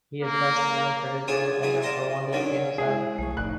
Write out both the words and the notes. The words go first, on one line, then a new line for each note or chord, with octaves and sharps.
He is best known for his role in the Rwandan Genocide.
A#3
D4 F4 G#4 A4 C#5 F#5
E3 F#3 G#4 B4
D5 F5 A5 A#5 C6 C#6
D3 D#3 F#3 C#4
G#3 E4 G#4 G#5
B1 F3 A3 C#6
F1 A2 D#4 D5 F#6